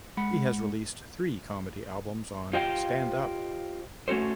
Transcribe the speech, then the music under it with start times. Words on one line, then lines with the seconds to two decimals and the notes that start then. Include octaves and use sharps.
He has released three comedy albums on Stand Up!
0.17 G#3 F#5 B5
2.53 F4 G4 C5 D#5 F5 G5
4.08 A3 C#4 F#4 A4 C5